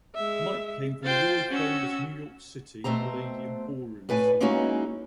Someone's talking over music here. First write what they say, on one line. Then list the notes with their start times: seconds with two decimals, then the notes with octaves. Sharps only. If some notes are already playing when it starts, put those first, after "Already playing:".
Mike came from the world-famous New York City Palladium Ballroom scene.
0.16 G#3 E5
1.04 F4 C5 G5 A6
1.50 C#4 F#4 E6
2.84 B2 A3 C4 C5 A#5
4.09 A2 B4 D5 G#5
4.40 G#3 A#3 C#4 D#4 E4 F#4